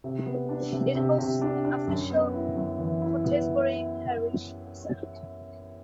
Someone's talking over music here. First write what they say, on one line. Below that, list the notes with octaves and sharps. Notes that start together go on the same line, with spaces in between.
It hosts an official Pontesbury Parish website.
C3
B3
D4
C3
C3
C3
D4
D4
F#2
B3
E4
F#2
E3
E4
B3